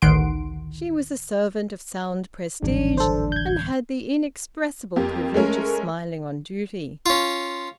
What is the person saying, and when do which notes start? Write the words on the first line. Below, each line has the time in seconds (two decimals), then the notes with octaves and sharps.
She was a servant of sound prestige, and had the inexpressible privilege of smiling on duty.
0.02 A1 D2 D#3 F#5 C6 D7
2.63 D1 G#1 E3 G3 D4
2.97 A4 C5
3.32 G6 G#6
4.96 F2 A#3 G4
5.34 G#3 A3 C#4 A#4
7.06 C#4 F4